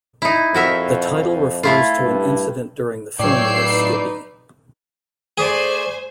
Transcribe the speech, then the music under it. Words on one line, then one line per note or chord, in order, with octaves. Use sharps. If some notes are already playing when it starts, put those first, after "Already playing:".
The title refers to an incident during the filming of "Skippy".
D#4 E4
F2 F#4 A#4 E5
A3 E4 F4
G2
A2 F#3 C#5 D5 G5 E6 G6 C7
D#4 B4
A3 G#4 C5 D5 G#5